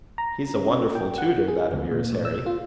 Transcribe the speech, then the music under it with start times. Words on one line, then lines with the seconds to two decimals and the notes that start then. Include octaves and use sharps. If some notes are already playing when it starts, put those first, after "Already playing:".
"He's a wonderful tutor, that of yours, Harry!"
0.18 A#5
0.55 C#4
0.95 G5
1.18 F#5
1.48 G#4
1.73 D2
1.91 A#2
2.12 A2
2.25 E6
2.46 F4